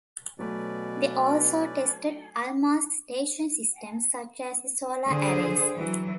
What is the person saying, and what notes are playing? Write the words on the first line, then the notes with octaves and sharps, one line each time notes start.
They also tested Almaz station systems, such as the solar arrays.
B2 F#3 A3 C#4 B4 D5
D3 G#4 C5
E3 F#3